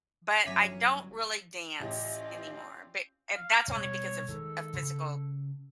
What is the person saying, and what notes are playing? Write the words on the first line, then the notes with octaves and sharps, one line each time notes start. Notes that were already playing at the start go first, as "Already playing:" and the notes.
but I don't really dance anymore, but it that's only because of of physical
G1 F#3 C#4 E5 D6 B6
A1 C4 C#4 F4 G4 D5 D#5
F5
B2 G3 G#3 C#5
D#3 G#3 A4
C#3